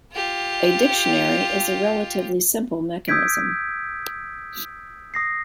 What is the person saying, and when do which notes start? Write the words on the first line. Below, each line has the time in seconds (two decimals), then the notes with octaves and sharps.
A Dictionary is a relatively simple mechanism.
0.13 F4 G4
3.08 D#6 E6 G6 G#6 B6 D7
5.14 D#6 A#6 C7